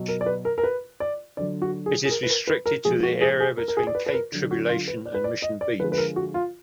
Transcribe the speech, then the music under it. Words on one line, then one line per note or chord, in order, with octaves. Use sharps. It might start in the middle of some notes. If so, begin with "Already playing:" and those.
It is restricted to the area between Cape Tribulation and Mission Beach.
Already playing: B2 F#3
A#4
D5
B4
A#4
A#4
B4
D5
D3 F#3 D5
F#4
G#4
G#4
A#4
B4
A#4
B4
A#4
A#2 F3 G#3 G#4
F#4
G#4
G#4
A#4
A#4
G#4
D5
B4
B4
A#4
D3 F#3
F#4
F4
B4
D5
B4
D5
D#5
D5
D3 F3 G#3 B4
B4
A#4
F#4
F4